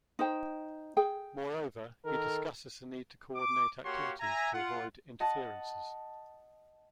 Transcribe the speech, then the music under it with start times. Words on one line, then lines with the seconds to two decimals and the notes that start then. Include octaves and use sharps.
Moreover, he discusses the need to coordinate activities to avoid "interferences".
0.19 D#4 C5 G5
0.97 G#4 G5
2.06 D#3 A4 A#4
3.36 D6
3.84 A#3 F#4 G4 C#5 F5 C6
4.20 E5 G#5 A#5
4.54 F4 F#5
5.20 D#5 F#5 A5